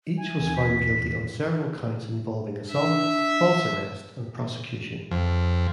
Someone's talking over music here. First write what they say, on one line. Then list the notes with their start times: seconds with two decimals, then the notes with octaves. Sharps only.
Each was found guilty on several counts involving assault, false arrest, and prosecution.
0.18 E3 G#5
0.39 D#2 C4 A#4
0.56 G2 D5 G6 B6
0.74 E2 F#3
0.89 D#3
1.06 D3
2.72 D4 E5
5.11 F2